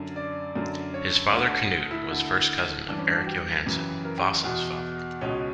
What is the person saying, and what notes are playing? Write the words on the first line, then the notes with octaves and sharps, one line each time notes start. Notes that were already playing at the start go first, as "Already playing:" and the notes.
His father Knut was first cousin of Erik Johansson Vasa's father.
Already playing: F#2 D3
D5
F#2 D3
C#5
D2 D3
E4
D2 D3
G2 E3 D4
C#4
D4
F#4
G4
F#2 C#3 E3
A#4
G4
E2 B2
C#2 B2 C#4